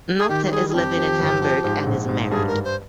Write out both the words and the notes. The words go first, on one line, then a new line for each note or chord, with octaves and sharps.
Nolte is living in Hamburg and is married.
G#4
D#3 G4
G4
G3 G#4
G#4
F2 G4
F3
G1
F3
G#2
A#1
G#2
G2 G#4
A#4
G2
C5